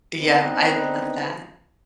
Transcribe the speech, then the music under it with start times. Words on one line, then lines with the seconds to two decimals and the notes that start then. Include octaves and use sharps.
Yeah, I love that.
0.20 B3 C4 D4 D#4 B4